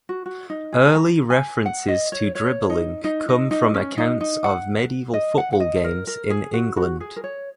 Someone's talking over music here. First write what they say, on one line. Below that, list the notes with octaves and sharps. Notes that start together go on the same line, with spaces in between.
Early references to dribbling come from accounts of medieval football games in England.
F#4
F#4
D#4
G#4
A#5
G#5
F#5
D#5
C#5
C#5
D#4
D#4
D#4
D#4
C#4
D#4
D#4
F#5
D#5
F#5
F#5
D#5
A#4
A#4
G#4
F#4
F#4
G#4
A#4
C#5